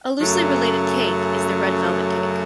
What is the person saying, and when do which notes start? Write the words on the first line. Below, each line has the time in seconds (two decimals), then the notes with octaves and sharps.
A loosely related cake is the red velvet cake.
0.19 F#2 C#3 F#3 A3